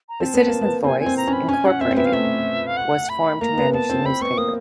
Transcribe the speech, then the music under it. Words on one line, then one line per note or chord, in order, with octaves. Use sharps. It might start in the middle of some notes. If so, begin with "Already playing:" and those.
The Citizens' Voice, Incorporated was formed to manage the newspaper.
A#5
C4 A5
B3
A#3
B3
C4 G#5
G#5
C4
A#5
C#4
B5
C#4 G#5
C#4 F#5
C4 E5
C4
B3 E5
F5
A3 E5
F5
F#5
B5
A#3 A#5
B3
B3 A5
C4
C4 B5
B3 C#6
A#3 D#6